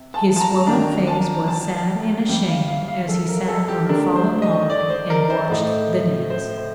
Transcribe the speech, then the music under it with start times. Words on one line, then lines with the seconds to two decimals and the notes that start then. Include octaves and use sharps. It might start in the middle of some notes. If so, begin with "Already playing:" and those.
His swollen face was sad and ashamed as he sat on a fallen log and watched the dance.
Already playing: C3
0.14 A5
0.36 A5
0.40 A#5
0.67 D#3 A#3 D4 A#5
1.07 A5
1.48 A5
2.27 F2 C3 G3 C4 G5
2.48 F5
2.68 F5
2.88 F5
3.09 A4
3.29 A#4
3.48 A4
3.68 G4
3.89 D3 A3 D4 A#4
4.15 C5
4.42 D#5
4.70 D5
4.90 C5
5.10 A#4
5.30 C5
5.50 A2 A3 D#4
6.30 C5
6.57 C5